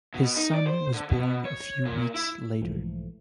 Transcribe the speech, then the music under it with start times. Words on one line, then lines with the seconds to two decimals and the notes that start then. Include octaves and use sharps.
His son was born a few weeks later.
0.14 B2
0.36 D#4
0.54 D5
0.67 C5
0.94 D3
1.10 B2
1.45 C#5
1.85 A#2
2.14 E4
2.62 B1 G#2 E3 F3 A3